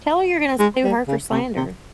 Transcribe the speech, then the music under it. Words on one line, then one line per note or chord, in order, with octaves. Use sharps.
Tell her you're gonna sue her for slander.
G#3
G3
C#3
C3
C3